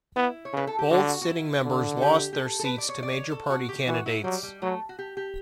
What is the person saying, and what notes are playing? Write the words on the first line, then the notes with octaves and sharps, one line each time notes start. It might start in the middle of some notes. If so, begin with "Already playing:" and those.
Both sitting members lost their seats to major party candidates.
B3 E4
C#5
C#3 B4
A4
G4
D3 F#4
F#4
E4
D3
A4
G4
G4
A4
A4
B4
D5
C#5
D5
C#5
A4
F#4
G4
E3 F#4
E4
F#3 G3
G3
F#3 A3
F#4
G4
G4